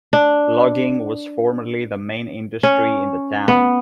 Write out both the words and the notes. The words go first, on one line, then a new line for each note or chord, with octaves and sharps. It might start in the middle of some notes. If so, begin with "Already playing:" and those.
Logging was formerly the main industry in the town.
D4
C#4
B3